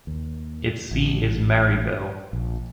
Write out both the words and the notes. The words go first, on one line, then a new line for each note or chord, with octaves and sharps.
Its seat is Marieville.
D#2
A1
A#1